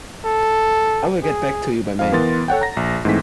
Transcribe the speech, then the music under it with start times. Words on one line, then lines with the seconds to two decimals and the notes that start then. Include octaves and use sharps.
I will get back to you by mail.
0.25 A4
1.23 G#4
1.99 F2 F5
2.12 E3 B3 A#4 C6 A6
2.48 A4 C#5 F#5 G5
2.61 A#5 A#6
2.77 A#1
3.05 G#2 E3 A3 C4 B6